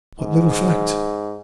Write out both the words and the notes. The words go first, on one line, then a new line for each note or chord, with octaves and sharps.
"What little fact?"
G#2